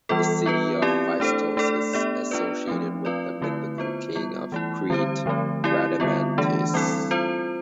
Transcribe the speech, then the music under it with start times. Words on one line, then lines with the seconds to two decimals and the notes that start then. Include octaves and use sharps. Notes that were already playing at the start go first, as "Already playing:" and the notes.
The city of Phaistos is associated with the mythical king of Crete Rhadamanthys.
0.09 E3 G3 B3 F4 A4
0.46 B3 F4 B4
0.82 C4 E4 G4 D5
1.20 A3 D4 A4 C5
1.57 A3 D4 A4 D5
1.93 B3 D4 G4 D5
2.31 B3 D4 F4 B4 D5
2.68 F3 A3 C4
3.05 C4 F4 B4 D5
3.42 D3 A3 C4 E4 B4
3.78 B3 F4 C5
4.15 G3 B3 F4
4.52 E3 A3 E4
4.90 D3 G3 C4 G4 C5
5.26 D3 F3 A3 C4
5.64 C4 E4 G4 D5
6.00 D3 G3 B3 F4
6.38 E3 A3 D4
6.74 G3 C4 E4 A4
7.11 C4 F4 C5